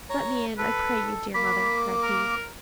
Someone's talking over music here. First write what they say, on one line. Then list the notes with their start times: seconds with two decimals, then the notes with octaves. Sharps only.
'Let me in, I pray you, dear mother,' cried he.
0.10 C#5 A#5
0.58 A4 B4
1.35 A#3 B5 D6
2.03 A#4